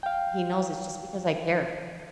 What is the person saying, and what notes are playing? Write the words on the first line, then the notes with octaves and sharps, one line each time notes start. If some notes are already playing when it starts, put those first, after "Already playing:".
he knows it's just because I care.
F5 G5